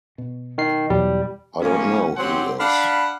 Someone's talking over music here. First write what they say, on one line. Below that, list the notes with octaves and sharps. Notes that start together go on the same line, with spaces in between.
I don't know who is.
B2
D#3 C7
E2 B2 F#3 G3
A2 F3 G#3 A#3 C#4
F#2 F#3 C4 G4 F#5 C6
D4 F5 F#5 B5